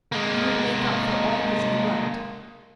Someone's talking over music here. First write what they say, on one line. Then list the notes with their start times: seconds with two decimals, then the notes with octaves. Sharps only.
He would make up for all his neglect.
0.12 G#3 A#3